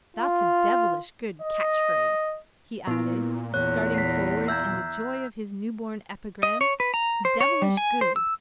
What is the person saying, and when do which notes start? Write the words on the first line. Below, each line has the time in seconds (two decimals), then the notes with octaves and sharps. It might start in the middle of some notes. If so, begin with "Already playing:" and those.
That's a devilish good catch-phrase," he added, starting forward in the joy of his newborn epigram: "Devilish good.
0.16 F4
1.42 D#5
2.87 A#2 B3 E4
3.54 E2 C#5 F#6
3.94 B6 C7
4.48 E5 A#5 E6 G6 G#6
6.43 D#5
6.61 C#5
6.80 B4
6.94 A#5
7.25 C5
7.41 C#5
7.62 G3
7.77 G#5
8.01 C5
8.16 E6